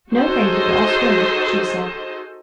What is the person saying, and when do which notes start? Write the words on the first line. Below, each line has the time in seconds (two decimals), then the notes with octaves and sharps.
"No, thank you; I'll swim!" she said.
0.12 D#4 F#4 G#4 A4 C5 D#5